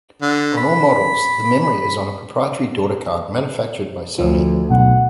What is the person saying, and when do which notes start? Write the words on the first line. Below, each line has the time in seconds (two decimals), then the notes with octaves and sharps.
On all models, the memory is on a proprietary daughtercard manufactured by Sony.
0.22 D3
0.57 B5
4.18 D2 F3
4.70 B1 F#5